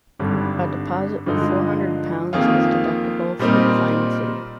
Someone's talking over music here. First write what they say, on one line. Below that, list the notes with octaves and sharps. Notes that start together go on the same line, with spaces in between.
A deposit of four hundred pounds is deductible from the final fee.
G#1 G2 D3 G3
G2 D3 F3 G#3 D#4
F2 D#3 A#3 F4 G#4
A#2 G3 C4 D#4 A#4